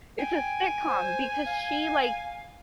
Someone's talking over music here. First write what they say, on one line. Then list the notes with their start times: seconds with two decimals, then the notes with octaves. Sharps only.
it's a sitcom because she, like,
0.19 G5 G#5
0.87 C5
1.46 F5